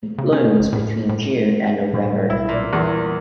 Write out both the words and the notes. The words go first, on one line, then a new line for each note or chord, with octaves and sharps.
It blooms between June and November.
C#3
C#4
G1
A2
A2
A2 G3 A3
B1 E4
A#2
E2 E3 G3 A#3